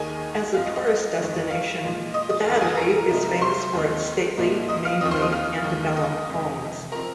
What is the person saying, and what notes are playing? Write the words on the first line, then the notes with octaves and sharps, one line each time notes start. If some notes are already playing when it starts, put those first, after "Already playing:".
As a tourist destination, the Battery is famous for its stately, mainly antebellum homes.
Already playing: D#2 D#3 A#3 D#4 G#4 G#5
G#2 F3 C4 F5
D#5
D#5
D#5
F2 D#3 G#3
F5
A#2 F3 G#3 F4
D#5 D#6
D#5 D#6
F1 F2 D#3 F5
G#4 G#5
A#4 A#5
C2 C3 F3 G#3 D#4
C5 C6
D#2 D#3 G#3 C4 D#4
C2 A#2 A#3 D#4
D#5 D#6
F5 F6
D#2 D#3 C4 F4 D#5 D#6
C5 C6
D#5 D#6
F5 F6
D#2 D#3 G#3
D#5 D#6
F2 C3 G#3 D#4
F3 C4 A#4 A#5